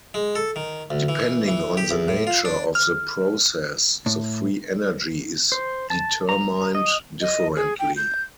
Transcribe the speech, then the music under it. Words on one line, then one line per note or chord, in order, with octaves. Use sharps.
Depending on the nature of the process, the free energy is determined differently.
G#3
A4
D#3
D2
E3
E3
G4
E2
A2
F4
D4
F6
A2
C5
A5
A#5
D#5
D#5
G#4
G5
G6